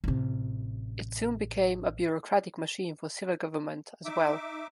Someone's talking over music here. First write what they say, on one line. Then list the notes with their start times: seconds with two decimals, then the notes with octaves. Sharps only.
It soon became a bureaucratic machine for civil government as well.
0.04 A1 C3
4.05 D#4 E5 D6